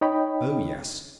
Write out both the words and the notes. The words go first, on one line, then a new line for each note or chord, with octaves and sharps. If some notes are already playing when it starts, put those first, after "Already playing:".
Oh, yes!
D#4 C#5 D#5 G5 B5